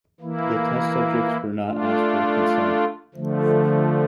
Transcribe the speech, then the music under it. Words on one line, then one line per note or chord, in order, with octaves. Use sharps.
The test subjects were not asked for consent.
E3 A#3 E4
A3 D4 F4
D3 F3 A3